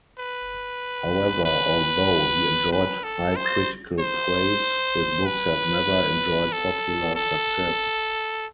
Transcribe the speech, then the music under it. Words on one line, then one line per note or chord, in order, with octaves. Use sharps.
However, although he enjoyed high critical praise, his books have never enjoyed popular success.
B4
B4
B4
A4
C5
C5
B4
A4
A4